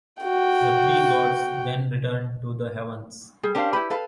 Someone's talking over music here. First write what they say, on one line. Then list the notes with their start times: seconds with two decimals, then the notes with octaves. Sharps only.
The three gods then returned to the heavens.
0.23 F#4 G5
3.43 G3 G#4
3.55 C#4 D4 G4 A#4 C5 F5
3.73 E4 G4 B4 B5
3.90 A4 B4 F5